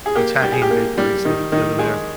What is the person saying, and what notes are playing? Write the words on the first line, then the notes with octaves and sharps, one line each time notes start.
Italian bakeries th th that are there,
G#4
A#3 G4
G3 G4
G#4
G4
A#3
G3
D#3
D#3
G#3 G#4